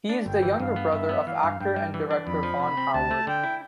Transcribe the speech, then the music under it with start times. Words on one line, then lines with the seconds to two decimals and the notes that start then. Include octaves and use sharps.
He is the younger brother of actor and director Ron Howard.
0.09 D4
0.25 G1 G5
0.42 E3
0.60 G2 F5
0.76 B3
0.93 G2 E5
1.09 B3
1.27 E3 F5
1.43 G2
1.60 G2 G5
1.76 G3
1.94 E3
2.11 D4
2.27 F2 B5
2.43 F3
2.60 C3 B5
2.77 C4
2.94 D2 A5
3.11 A3
3.27 D3 G5
3.44 E4